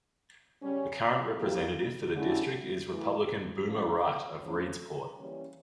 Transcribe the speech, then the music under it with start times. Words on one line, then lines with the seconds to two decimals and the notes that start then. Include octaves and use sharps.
The current representative for the district is Republican Boomer Wright of Reedsport.
0.62 C#3 G3 C#4
1.38 F3 A#3 E4 G4
2.14 D3 A3 C#4 E4 G4
2.90 E3 A3 E4
3.66 C#3 F3 A#3 E4 A4
4.42 A2 F3 A3 C#4
5.19 E3 G3 A#3 C#4